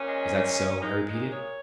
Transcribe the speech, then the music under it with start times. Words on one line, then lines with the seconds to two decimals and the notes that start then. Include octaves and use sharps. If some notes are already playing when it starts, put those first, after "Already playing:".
"Is that so?" I repeated.
Already playing: A#2 C#4
0.08 G#3
0.33 A#2
0.58 A#2
0.81 G#3 D#4
1.06 A#2 D#4
1.31 A#2 C#5